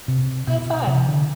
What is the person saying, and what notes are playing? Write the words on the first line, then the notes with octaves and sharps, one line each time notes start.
Oh fun.
C3
B2
C3
D3